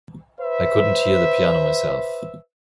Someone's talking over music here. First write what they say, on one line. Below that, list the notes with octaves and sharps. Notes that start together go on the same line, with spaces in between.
I couldn't hear the piano myself.
B4 C5 E5